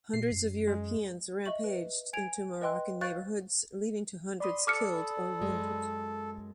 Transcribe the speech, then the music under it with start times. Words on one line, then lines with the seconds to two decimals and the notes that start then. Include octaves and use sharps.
Hundreds of Europeans rampaged into Moroccan neighborhoods leading to hundreds killed or wounded.
0.14 A#2 C7
0.32 F#2
0.68 G#3
1.46 D#5 E5 C#6 F#7
1.64 B4
2.13 G#5 G#6 D7 F7
2.61 B4 D#5 G5 C6 F#6
3.01 C5 F5 C#6 F#6 G6 A6
4.40 D5 B5 C6 D#6
4.67 A4 D6 F6 C#7
5.42 F#2 G#3